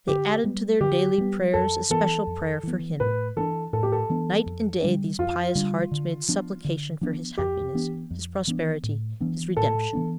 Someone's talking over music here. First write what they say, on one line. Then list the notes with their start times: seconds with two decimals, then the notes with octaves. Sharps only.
They added to their daily prayers a special prayer for him; night and day these pious hearts made supplication for his happiness, his prosperity, his redemption.
0.08 D3 G4
0.44 G3 B3
0.80 D3 G4
1.18 G3 B3
1.54 F2 A4
1.90 E3 B3 A4
2.27 F2
2.63 E3 B3
3.00 A2 B4
3.36 E3 B3 D4 A4
3.73 A2 A4
3.83 G4
3.92 A4
4.10 E3 B3 D4
4.46 F2
4.82 D3 G3 D4
5.18 F2 F4
5.55 D3 G3 D4
5.91 D3
6.28 F3 B3 D4
6.64 D3
7.01 F3 B3 D4
7.37 F2 G4
7.75 E3 B3 D4
8.10 F2
8.47 E3 B3 D4
8.83 A2
9.20 E3 B3 D4
9.57 A2 A4
9.93 E3 B3 D4